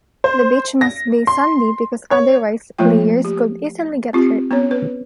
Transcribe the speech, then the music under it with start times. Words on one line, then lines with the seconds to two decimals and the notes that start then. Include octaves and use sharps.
The beach must be sandy because otherwise players could easily get hurt.
0.24 C5
0.81 A#6
1.27 C6
2.11 C#5
2.78 F3 A3 A#3 F4 G5
3.25 G4
4.13 C4 F4 G4
4.51 B3 C#4 C#5
4.71 B4